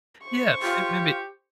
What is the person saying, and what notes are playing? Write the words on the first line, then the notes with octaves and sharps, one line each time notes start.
yeah, may maybe
C5 C#6
F4 G4